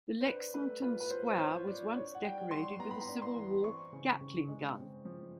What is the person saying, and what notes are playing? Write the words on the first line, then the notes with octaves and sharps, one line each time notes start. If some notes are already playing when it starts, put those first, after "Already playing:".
The Lexington Square was once decorated with a Civil War Gatling gun.
C5
D4 B4
A3 B4
F4 B4
B4
F4 C5
C5
F4 C#5
F4 D5
D4 C#5
F#5
G3 G5
G3 C6
B3 A#5
B5
A#5
D4
C6
E3
C4 C#6
C#3
C#3
G#3
C4
F3